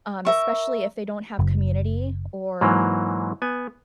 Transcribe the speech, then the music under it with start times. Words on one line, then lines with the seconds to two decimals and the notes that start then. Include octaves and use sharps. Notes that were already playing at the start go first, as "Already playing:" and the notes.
um, especially if they don't have community or
0.25 A#4 E5 C#6
1.39 F#1
2.61 G#2 E3 F#3 A#3
3.42 B3 G#5